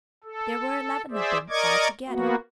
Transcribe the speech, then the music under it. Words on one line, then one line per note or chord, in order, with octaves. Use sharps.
There were eleven of them altogether.
A4
G#4 C5 D5 E5
A#4 D5 D#5 C#6 D6 G#6
A#3 B3 F#4